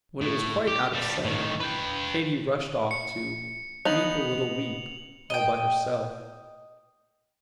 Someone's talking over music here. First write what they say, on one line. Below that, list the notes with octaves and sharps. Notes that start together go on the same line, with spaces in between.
When it was quite out of sight, Katy rushed off to "weep a little weep," all by herself.
A2
G4
F3 G3
A2 D#3
B4 G5
C#7
B3 D#4 F7 F#7
D#5 G5